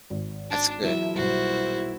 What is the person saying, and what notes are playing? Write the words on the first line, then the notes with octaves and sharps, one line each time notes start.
That's good.
G#1
D4
E2 A#2 E3 F#3 E4 E5
B1 G3 F#4 C5